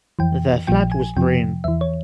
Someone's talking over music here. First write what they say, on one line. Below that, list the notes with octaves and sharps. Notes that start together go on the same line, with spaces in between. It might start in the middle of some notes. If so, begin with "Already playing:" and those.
Their flag was green.
F2 E3 G5
A#1 A#2 F3 G5
G#5
F2 C3 F3 G5
E2 E3 E5
C#5